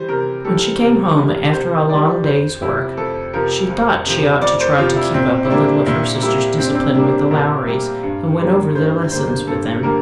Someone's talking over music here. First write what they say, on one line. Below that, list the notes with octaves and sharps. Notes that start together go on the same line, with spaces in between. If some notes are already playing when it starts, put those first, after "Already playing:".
When she came home after a long day's work, she thought she ought to try to keep up a little of her sister's discipline with the Lowries, and went over their lessons with them.
Already playing: E3 G3 C5
C3 A#4
E3 G3 A4
C3 A#4
E3 G3
C3 C5
E3 G3 D5
F2 C5
C3 F3 E4
F2 A4
C3 F3 A#4
F2
C3 F3
F2 D5
C5
C3 F3 F4
E4
A#2 C4
E4
G3 A#3 D4
A#2 E4
G3 A#3 E4
A#2 C4
D4
C4
G3 A#3 D4
A#2 A#4
G3 A#3
G2
D3 G3 A#3
G2 C5
D3 G3 A#3 C5
G2 A4
D3 G3 A#3 A#4